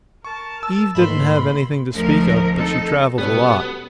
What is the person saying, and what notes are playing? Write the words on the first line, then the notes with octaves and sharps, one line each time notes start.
Eve didn't have anything to speak of, but she travelled a lot.
A#4 A5 C#6
E6
A1 D#2 G#2 E5 B5 C6
D2 F3 G#3 A3 A#4
C4 D#4 A4
B2 G3 B3 C#4 A4